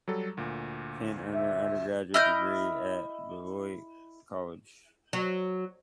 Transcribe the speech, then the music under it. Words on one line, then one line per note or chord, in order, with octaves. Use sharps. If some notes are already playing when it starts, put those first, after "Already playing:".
Penn earned their undergraduate degree at Beloit College.
F#3 G3 A4
D2 A#2
E5
E4 D#5 F6 G6
F#3